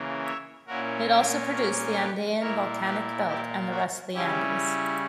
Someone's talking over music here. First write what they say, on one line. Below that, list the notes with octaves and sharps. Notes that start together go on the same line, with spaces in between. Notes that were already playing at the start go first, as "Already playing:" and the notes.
It also produced the Andean Volcanic Belt and the rest of the Andes.
Already playing: C#3 E3 A#3
C#5 E5
A#2 A#3 C#4 E4 F#4 A#4
E4 G4
F#4 A#4
G4 B4
A#2 A#3 E4 A#4 C#5
G4 B4
E4 G4
F#4 A#4
C#3 G3 C#4 E4 G4